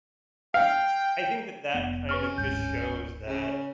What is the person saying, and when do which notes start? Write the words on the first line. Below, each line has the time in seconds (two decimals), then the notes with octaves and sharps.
I think that that kind of just shows that
0.54 F5 G5
1.74 F1 B3
2.09 C#4 B4 C#6 F6
2.38 D1 G#1 G#2 G6
3.27 C#3
3.49 C#5